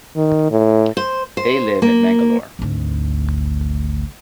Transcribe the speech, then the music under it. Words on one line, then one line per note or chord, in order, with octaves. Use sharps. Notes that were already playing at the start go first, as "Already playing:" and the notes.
They live in Mangalore.
D#3
A2
C5
C5
A#3
G#1 D2